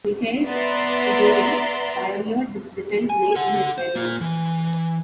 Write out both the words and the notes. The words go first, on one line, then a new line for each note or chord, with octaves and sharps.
Mikhail Chigorin pioneered this defense late in his career.
B3 D5 E5 A#5 C6
G#5
A4 F#5
C5
A#3 F4
E3